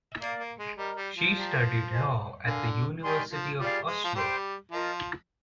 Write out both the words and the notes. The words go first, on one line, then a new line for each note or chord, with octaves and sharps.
She studied Law at the University of Oslo.
A#3 A#4 D5 F5
A#3
G#3
G3 A#4 D#5 A#5
G3
F3
G4 D5 G5 A#5
C5 D#5 G#5
D3 A#4 F5 G#5
D#3 G4 D5 G#5 C6
F3
G3 F4 G#4 D5 F5
G#3
F3
G3 C5 G5 C6
F3 F4 A#4 D#5